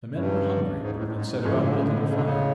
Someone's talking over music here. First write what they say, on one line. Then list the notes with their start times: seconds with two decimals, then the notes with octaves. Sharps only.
The men were hungry and set about building a fire.
0.15 G2 G#3 C#4 E4
0.80 G#2
0.96 A2
1.08 A2
1.12 G#2
1.28 G#2
1.44 A2 C#3 F3 G#3 C#4
1.53 D3
1.60 C#3
1.68 D3
1.75 C#3
1.83 D3
1.90 C#3
1.98 D3
2.07 C#3
2.14 D3
2.22 C#3